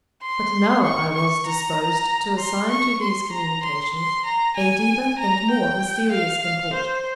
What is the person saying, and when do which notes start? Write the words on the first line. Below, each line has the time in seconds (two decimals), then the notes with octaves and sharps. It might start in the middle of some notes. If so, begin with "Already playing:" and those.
But now I was disposed to assign to these communications a deeper and more mysterious import.
0.22 C6
0.84 C#6
1.15 C#6
1.46 A#5
2.39 C6
2.71 C#6
3.01 C6
3.32 A#5
3.63 C6
3.94 C6
4.25 A#5
4.56 G#5
5.19 A#5
5.50 G5
6.11 F5
6.42 F5
6.73 C5